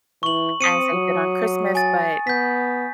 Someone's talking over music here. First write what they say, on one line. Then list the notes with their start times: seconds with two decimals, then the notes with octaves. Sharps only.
as they did on Christmas, but
0.23 E3 C#6 F#7
0.61 C4 D#6 C#7 D#7
0.94 F#3
1.75 G#5 A6
2.27 B3 G6 B6